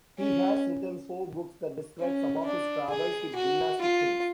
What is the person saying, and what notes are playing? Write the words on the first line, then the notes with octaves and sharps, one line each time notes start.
He has written four books that describe some of his travels with gymnastic teams.
C#4
C#4
D4
G#4
F#4
F4